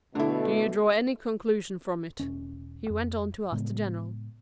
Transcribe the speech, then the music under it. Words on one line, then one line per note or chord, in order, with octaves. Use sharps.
"Do you draw any conclusion from it?" he went on to ask the General.
B2 D3 A3 E4
E1 C#4
F2
A2 C#3 G#3 B3